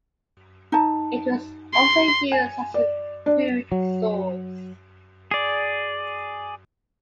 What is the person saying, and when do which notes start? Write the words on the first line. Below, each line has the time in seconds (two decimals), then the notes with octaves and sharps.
It was also used as a food source.
0.72 D#4 A5
1.73 C6
2.32 G#5
2.74 D5
3.26 D4
3.72 F#3
5.31 G#4 D5